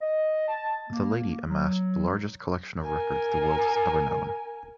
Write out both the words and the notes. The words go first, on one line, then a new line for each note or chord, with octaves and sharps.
The lady amassed the largest collection of records the world has ever known.
D#5
A5
A#3
F#3
A#4 G#5